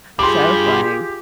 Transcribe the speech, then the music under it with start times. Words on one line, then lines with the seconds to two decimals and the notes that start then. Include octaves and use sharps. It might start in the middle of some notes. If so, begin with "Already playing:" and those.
so funny.
0.19 G2 F4 G4 G#4 C6 D6